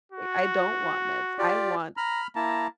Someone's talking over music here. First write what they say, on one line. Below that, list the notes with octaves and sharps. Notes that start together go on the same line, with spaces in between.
I don't want meds, I want
F#4
F4 G4 D5
A#5 B5 F6
A#3 E4 A5 A#5